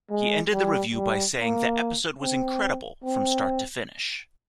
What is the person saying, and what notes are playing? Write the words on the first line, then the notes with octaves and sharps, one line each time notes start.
He ended the review by saying the episode "was incredible, from start to finish".
G#3
G3
G3
A#3
C4
C4